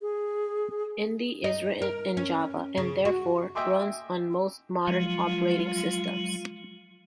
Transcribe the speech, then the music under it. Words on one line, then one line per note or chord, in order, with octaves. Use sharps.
Indy is written in Java and therefore runs on most modern operating systems.
G#4
D#4
A#4
C#4
C#3
F#4
D#5 E5 G5 G#5 C6 D6
F3 F#3 G#3 F4